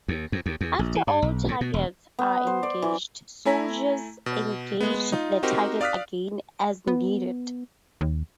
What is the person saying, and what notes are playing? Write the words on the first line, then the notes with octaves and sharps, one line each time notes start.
After all targets are engaged, soldiers engage the targets again as needed.
D#2
F2
D#2
E2
A#1
E3
G2
B1
A2
B2
E1
B3
C5
D5
E3
A3 E4 G#5 A#5 B6
B2
G#3 B3
D#4 F4
C4 D#4 F#4 G4 A#4 C5
D5 F5 D#6 F6 F#6 B6
B3
D#2